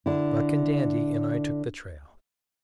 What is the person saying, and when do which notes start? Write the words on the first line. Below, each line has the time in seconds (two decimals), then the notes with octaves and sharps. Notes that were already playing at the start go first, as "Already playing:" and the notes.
Buck and Dandy and I took the trail.
0.06 D3 E4